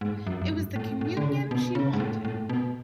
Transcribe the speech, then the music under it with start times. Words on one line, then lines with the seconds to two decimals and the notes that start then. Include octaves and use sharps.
It was the communion she wanted.
0.01 G#2
0.27 F#2
0.42 F#2
0.51 G#2
0.76 A2
1.01 A2
1.17 D3
1.26 C#3
1.51 B2
1.75 C#3
1.93 G#2
2.00 A2
2.25 A2
2.49 B2